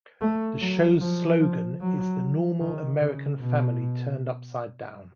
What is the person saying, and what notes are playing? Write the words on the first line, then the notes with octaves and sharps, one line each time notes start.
The show's slogan is The normal American family turned upside down.
A3
F#3
F3
F3
F#3
D#3
C#3
B2